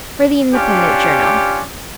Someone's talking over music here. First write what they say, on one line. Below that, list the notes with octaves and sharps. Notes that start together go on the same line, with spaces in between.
For the Independent Journal.
C#4 D4 F4 G4